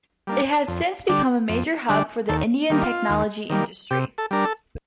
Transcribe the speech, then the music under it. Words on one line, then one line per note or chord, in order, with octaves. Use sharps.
It has since become a major hub for the Indian technology industry.
G3 A#3 D4
F2
D3 G3 D4
F2
D3 G3 D4
D#2 A4
D#3 G3 A#3
F4
D#2
D#3 G3 A#3
C3 G4
A4
G3 D4 A#4
A4